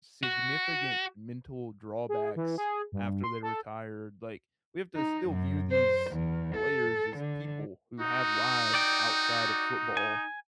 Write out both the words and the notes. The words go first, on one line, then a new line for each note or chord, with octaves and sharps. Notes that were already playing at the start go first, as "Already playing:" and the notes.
significant mental drawbacks after they retired, like, we have to still view these players as people who have lives outside of football,
F#4
G#4
E3
G#4
G2
C6
A4
D#4
F#2
C5
E2
A4
D3
D#4 F#4
D5 G5
G#5